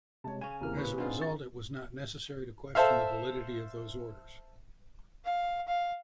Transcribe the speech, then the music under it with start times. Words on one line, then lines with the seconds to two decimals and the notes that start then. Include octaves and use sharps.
As a result, it was not necessary to question the validity of those orders.
0.24 C3 G#3 C#5 A5
0.41 C#3 C#4 G#5 D#7
0.61 D#2 C3 E3 A#3 F6
0.77 C#3 C#4 G#4 B4 B5
0.98 D3 C4 D#4 F4 G#4
1.21 C#6 A6
2.75 A4 C5 E5 F5
5.25 F5
5.68 F5